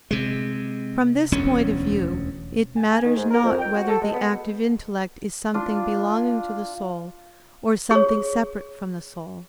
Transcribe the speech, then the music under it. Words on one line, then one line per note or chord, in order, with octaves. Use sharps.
From this point of view it matters not whether the active intellect is something belonging to the soul, or something separate from the soul.
C3 G#3
E1 D2 C#4
G#5
G#5
D#3
G#2
A#4
F2
G5
F#4
A4
G#3
B3
D4 F4
G#4 C#5